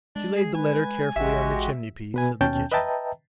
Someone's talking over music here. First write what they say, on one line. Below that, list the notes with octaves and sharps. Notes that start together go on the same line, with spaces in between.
She laid the letter carefully on the chimney-piece of the kitchen.
G#3 D4
G#4
B4 G#5
A1 G#3 F#4 G4 E5
B2 B4 G#5
D#2 B2 C#4 G5 A5 G6
B4 D#5 E5 G5 A5 A#5